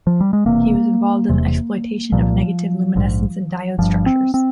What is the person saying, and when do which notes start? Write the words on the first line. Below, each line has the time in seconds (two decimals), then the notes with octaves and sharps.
He was involved in the exploitation of negative luminescence in diode structures.
0.07 F3
0.21 G3
0.33 G#3
0.46 E1 E2 C3 A#3
1.29 E1 E2 C3
2.12 C2 A#2 F3
2.96 A#1 G#2
3.78 G1 G2 F3
4.06 C4
4.34 C4